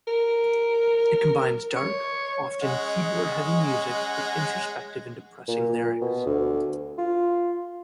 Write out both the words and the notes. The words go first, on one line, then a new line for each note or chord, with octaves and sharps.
It combines dark, often keyboard-heavy music with introspective and depressing lyrics.
A#4
C#5
G#3 C#4 D#5 F#5
A#2
B2
D2
F4